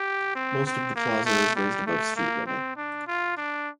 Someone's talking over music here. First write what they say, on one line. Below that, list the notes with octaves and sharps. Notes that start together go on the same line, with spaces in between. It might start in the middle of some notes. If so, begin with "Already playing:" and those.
Most of the plaza is raised above street level.
Already playing: G4
C4
C4
A#3
A3
G3
A3
A#3
C4
D4
F4
D4